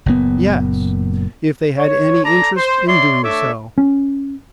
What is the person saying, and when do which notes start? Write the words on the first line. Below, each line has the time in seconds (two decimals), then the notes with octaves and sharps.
"Yes, if they had any interest in doing so."
0.06 F#1 A#2 B3
1.77 C#5
2.24 A4 D5 A5 A#5
2.56 C5
2.87 C#5 D5 E5 C6
3.22 A3 D4 A4 C#5 E5 D6
3.78 C#4